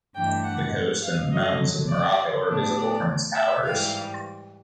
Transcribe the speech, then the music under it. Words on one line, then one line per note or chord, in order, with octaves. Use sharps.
The coast and mountains of Morocco are visible from its towers.
G2 E3 A3 D4 G5
F#5
F5
F#2 D3 F#3 D#5
D5
A2 F#3 B3 D4
D5
E5
G#2 E3 G3 F5